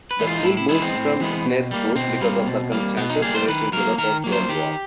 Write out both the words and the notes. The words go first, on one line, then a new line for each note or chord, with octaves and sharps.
The school moved from Snaresbrook because of circumstances relating to the First World War.
B4
E3 G#3 B3
F4
D#4
A2 E4
E4
E3 G#3 B3 E4
C4
A2
E3 G#3 B3
B2
G3 A#3
B2 C4
G3 A#3
B2
G3 A#3
B2 B3
D#4
G3 A#3 G#4
C5
D#3 B4
F#3 A#3 A#4
D#3 A#4
F#3 A#3
C5
D#3 G4